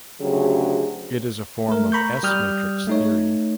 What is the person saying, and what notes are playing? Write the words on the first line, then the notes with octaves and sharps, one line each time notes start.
It is a form of S-matrix theory.
D2 C#3 F#3 G4 G#4
A3 A#4
A#5 B5 C#6 G6
G3 G4 D#6 F6 G6
A3 D#4 C#5